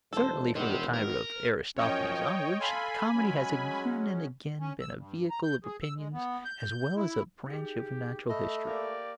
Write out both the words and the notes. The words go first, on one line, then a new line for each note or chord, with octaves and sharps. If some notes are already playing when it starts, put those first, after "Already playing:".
Certainly, from the time of Aristophanes onwards, comedy has again and again been a vehicle of opinions as well as a branch of natural history.
E1 A4 C5
D#3 B3 C4 D#4 G4
A#4
F#2 F3 C#4 C#5 D#5 G5
A4 F5 G#5 B5 C6
F#3 G#3 C#4
C#4
E6
G2
A#5
G6
G#4
E6
G#3
B3
G6
E4
D#4 G4 G#4
A3 D#5 B5 E6
A#3 G4 D5